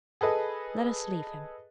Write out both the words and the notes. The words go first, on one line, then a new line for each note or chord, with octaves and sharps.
Let us leave him.
G#4 A4 B4 D#5